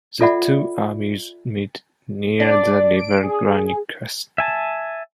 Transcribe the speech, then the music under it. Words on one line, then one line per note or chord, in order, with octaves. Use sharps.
The two armies met near the river Granicus.
F4 A4 D5 E5 F#5 B5
D4 D5
D7
G#4
E5 G#5 A5